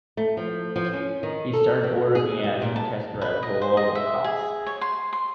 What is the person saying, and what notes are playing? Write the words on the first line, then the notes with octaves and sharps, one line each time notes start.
He started working as a test driver for Volvo Cars.
A3
F3
F3
C#4
D#3
A4
B2
G#4
G3
A#2
A5
B4
D#5
C5
D#5
E5
G#4
C#5
C6
C6